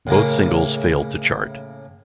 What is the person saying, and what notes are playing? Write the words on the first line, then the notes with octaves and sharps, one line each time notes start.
Both singles failed to chart.
A2 C#3 A#3